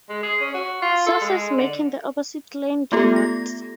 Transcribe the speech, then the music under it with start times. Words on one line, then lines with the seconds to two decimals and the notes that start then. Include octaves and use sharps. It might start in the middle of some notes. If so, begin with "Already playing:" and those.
Sources making the opposite claim do not.
0.09 G#3
0.23 G#4
0.41 C#4
0.54 F#4
0.82 F4
1.06 A4
1.21 G#3
1.57 D3
2.92 A3 B3 F4 G4 A4
3.16 A#6